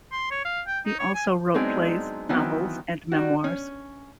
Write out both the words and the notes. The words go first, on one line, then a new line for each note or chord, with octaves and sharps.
He also wrote plays, novels and memoirs.
C6
C#5
F5
G5
D#4
C#5
G#5
F#3 G#3 B3 C4 D4 D#4
D#3 E3 F#3 B3 C4
G3 F#4
C#4